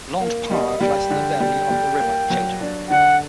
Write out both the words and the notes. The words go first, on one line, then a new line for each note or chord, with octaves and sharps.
Launde Park lies in the valley of the River Chater.
A#3
G3 D#5
G3 G5
D3
G3
G3
A#3
F#3
D4
D3 F#5